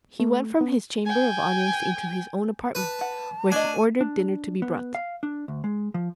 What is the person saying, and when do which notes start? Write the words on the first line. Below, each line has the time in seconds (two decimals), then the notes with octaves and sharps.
He went from his chamber of audience into his own apartment, where he ordered dinner to be brought.
0.20 A3
0.61 B3
1.05 G5 G#5
2.75 B4 A5
3.01 F#5
3.52 A3 D4 F#4 D#5 G#5
4.01 D4
4.62 B3
4.95 F5
5.23 D4
5.48 D2
5.64 G#3
5.94 F3